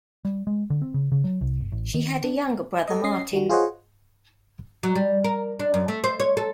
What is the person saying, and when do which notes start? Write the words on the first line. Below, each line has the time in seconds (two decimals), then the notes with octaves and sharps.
She had a younger brother, Martin.
0.25 G3
0.47 G#3
0.70 D3
0.82 C4
0.94 C#3
1.12 C#3
1.24 F#3
1.41 C2
1.60 G1
1.72 A1
1.94 D#3
2.24 D4
2.88 A4 D#5
3.04 C#4 D#5 C7
3.33 G3 F#4
3.49 F4 G#4 C5 C#5 D#5 F#5
4.83 F#3
4.95 G3
5.24 A#4
5.59 D4
5.74 F#2
5.88 A3
6.04 C5
6.20 C#5
6.37 A4